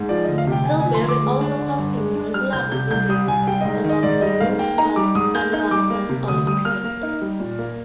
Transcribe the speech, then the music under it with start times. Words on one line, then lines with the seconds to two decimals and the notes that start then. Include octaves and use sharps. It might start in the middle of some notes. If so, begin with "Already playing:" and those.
Tilbury also competes regularly in the University of Windsor's annual Science Olympiad.
Already playing: G#2
0.09 F3 D5
0.24 D2 D#5
0.38 F5
0.47 C3 G5
0.65 D2 G#5
0.80 F3 G#5
0.95 C6
1.04 D2 D6
1.22 G#3
1.41 D4
1.59 D3
1.79 G2
1.97 G#3
2.15 D4
2.34 G3 F6
2.53 C2 G6
2.72 C3 G6
2.91 C2 G6
3.09 G3 D#6
3.28 C2 G#5
3.47 G3 G5
3.61 G#2 D#5
3.84 D#3
3.89 D#5
4.03 G#2 D5
4.21 G3 D#5
4.40 G#2 F5
4.59 A#3 G5
4.78 D#4 A#5
4.96 G3 D6
5.15 G#2 D#6
5.34 A#3 G6
5.53 D#4 G6
5.71 G3 D6
5.90 A#3
6.09 C3
6.28 D2 D#6
6.47 G3 D#6
6.65 A#3 F6
6.84 A#3
7.03 D#4
7.21 G3
7.40 A#2
7.59 A#3